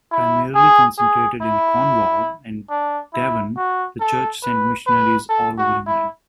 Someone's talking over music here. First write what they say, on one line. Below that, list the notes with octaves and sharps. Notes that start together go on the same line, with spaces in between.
Primarily concentrated in Cornwall and Devon, the church sent missionaries all over England.
E4
G#4
G#4
E4
D4
E4
F#4
A4
B4
B4
A4
F#4
E4